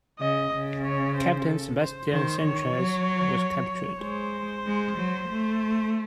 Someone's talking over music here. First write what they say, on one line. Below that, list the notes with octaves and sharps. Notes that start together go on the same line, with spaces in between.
Captain Sebastian Sanchez was captured.
C#3 D#5
C#3
C#5
C5
A4
C5
D#3 C5
D#3 C#5
F#3
G#3 C5
G#3
F#3
A3